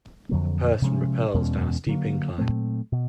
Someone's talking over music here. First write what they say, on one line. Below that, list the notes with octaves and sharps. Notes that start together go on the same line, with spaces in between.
A person rappels down a steep incline.
F2 D3 F#3 A#3
C3 F3 G#3 C#4
E2 B2 G#3 C#4
D3 F#3 A#3
A#2 F#3 A3 C4
B2